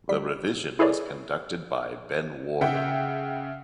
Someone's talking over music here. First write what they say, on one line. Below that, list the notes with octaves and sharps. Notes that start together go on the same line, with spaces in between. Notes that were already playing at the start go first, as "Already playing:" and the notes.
The revision was conducted by Ben Warlow.
G3 B6
E4 G#4 A4 B4 C#5 D5
C#3 E5 F#5 G5